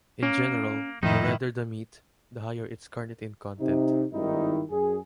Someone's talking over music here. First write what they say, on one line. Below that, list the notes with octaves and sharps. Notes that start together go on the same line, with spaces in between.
In general, the redder the meat, the higher its carnitine content.
A#3 C#4
F2 A2 D#3 F3 D#4 E4
C3 D#4
G#1 G2 D#3 D#4 E4
F#2 G#4